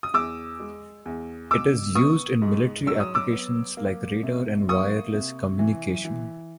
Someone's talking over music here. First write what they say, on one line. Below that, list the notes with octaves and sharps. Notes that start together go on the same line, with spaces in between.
It is used in military applications like radar and wireless communication.
D#6
E2 D6 E6
G#3
E2
B2 D6 E6
B3 C#6 D#6
G#2
F#3 E6
D#6
D6 E6
B3
A#3
C3
A#3 C#6 D#6
C3
E3
E3